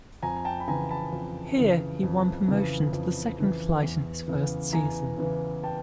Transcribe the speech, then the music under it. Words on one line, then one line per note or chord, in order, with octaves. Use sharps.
Here, he won promotion to the second flight in his first season.
F2 G#5 A#5
G5 A5
B5
C#3 E3 G#5 A#5
A5 B5
F2
C#3 E3
F2
C#3 E3
F2
C#3 E3
E2
C#3 E3
E2 G#5 A#5
C#3 E3
G5 A5